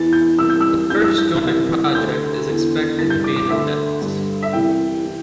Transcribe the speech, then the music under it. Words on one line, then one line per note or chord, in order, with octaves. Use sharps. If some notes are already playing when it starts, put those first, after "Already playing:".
The first joint project is expected be an index.
Already playing: E2 E3 A6
G6
C2 C3 E3 E6
G6
E6
G2 E3 G6
E6
G6
C2 C3 E3
D2 D3 G6
E2 D3
G2 E3 A6
G6
D6
D6
D2 D3 E5
G2 D3
E5
C2 C3 E3 G5
E3